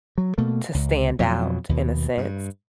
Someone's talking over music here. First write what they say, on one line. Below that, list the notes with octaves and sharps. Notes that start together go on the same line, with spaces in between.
to stand out in a sense,
F#3
B2 A3 A#3
C#2
F2 B2 F#3
D#2 B2
G2